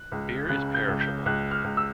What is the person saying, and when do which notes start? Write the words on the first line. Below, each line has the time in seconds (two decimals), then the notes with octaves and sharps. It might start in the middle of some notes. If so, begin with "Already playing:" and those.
Beer is perishable.
Already playing: F#6
0.12 C#2
0.49 C#3 F#6
0.74 G6
0.88 C#2
1.01 G6
1.26 C#2 F#6
1.51 F6
1.64 C#2
1.77 E6